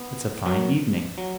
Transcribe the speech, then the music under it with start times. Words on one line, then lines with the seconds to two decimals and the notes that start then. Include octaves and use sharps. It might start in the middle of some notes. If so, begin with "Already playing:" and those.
"It's a fine evening."
Already playing: B3
0.46 F#2 F#3
1.18 F#3